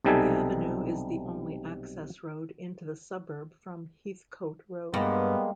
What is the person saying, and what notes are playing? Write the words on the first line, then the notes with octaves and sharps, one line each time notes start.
The Avenue is the only access road into the suburb from Heathcote Road.
B1 C3 G3 D#4 A4 G#5
G2 G#3 A#3 B3